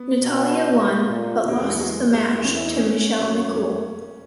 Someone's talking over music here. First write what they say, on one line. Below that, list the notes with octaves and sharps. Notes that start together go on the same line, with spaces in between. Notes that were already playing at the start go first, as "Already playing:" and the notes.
Natalya won, but lost the match to Michelle McCool.
Already playing: B3
B2
A#2
E2 A#3
G#3
F#3
G#3
G#3
E2 A#3
C#4
E4
D#4
C#4
F#2